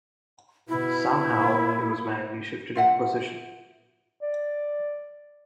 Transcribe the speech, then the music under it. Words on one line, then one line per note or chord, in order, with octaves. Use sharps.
Somehow, it was manually shifted into position.
B2 E4
A#2
F4 E5 F#5
D5